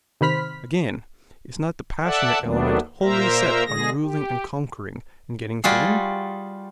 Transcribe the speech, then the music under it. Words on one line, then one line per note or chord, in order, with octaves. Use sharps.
Again, is not the passionate element wholly set on ruling and conquering and getting fame?
C3 D#3 C5 B5 F6 B6
A4 D5 E5 F#5 A5
D#2 D#3 F#3 A3 B3 D4
A#2 A#3 A#4 C5 E5 A#5
D3 G#3 G#4 A#6
G4
G3 F4 F#4 G#4